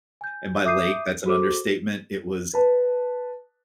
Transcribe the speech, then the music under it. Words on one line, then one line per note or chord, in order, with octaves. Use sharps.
And by lake, that's an understatement. It was
G#5 G6
E5 D6 D#6 G6 C7 D#7
F#4 G#4 A4 C5 D6
B4 A5